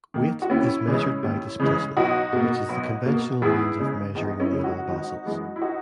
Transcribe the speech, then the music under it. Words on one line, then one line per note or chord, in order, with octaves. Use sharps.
Weight is measured by displacement, which is the conventional means of measuring naval vessels.
D#3 A#3
F#4
D#2 C#4 E4
C#3 E3 G#3
D#2
C#3 E3 G#3
B1 D#4 F#4
B2 A#3
B1
B2 A#3
E2 E4 G#4
C#3 G#3
E2 D#4
C#4 E4
C#3 G#3
D#4 F#4
G#1 D#4 F#4
F#2 E3 G#3
E4
D#4 F#4